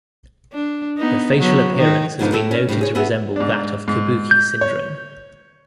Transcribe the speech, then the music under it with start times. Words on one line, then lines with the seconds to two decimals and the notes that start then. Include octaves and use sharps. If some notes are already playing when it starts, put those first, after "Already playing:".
The facial appearance has been noted to resemble that of Kabuki syndrome.
0.53 D4
0.98 B3 D#4
1.37 F#3 B3
1.77 D#3 D#4
2.19 G#2 B2 D3 F3 D4 D#4
2.32 A2 A3 A4
2.51 C#4
2.69 A2 G3 D4
2.81 G#4 C#5
2.95 B3 F#4 G#4 E5
3.36 G#2 D4
3.88 G#2
4.31 G6
4.61 C#5